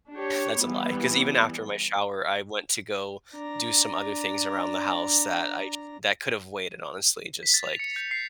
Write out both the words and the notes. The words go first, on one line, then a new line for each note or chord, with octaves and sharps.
that's a lie, 'cause even after my shower, I went to go do some other things around the house that I that could have waited, honestly; Just, like,
D4 G4 C#5
E3 G3 B3
D4 A#5
B6
A6
F7
C#7
G6
C7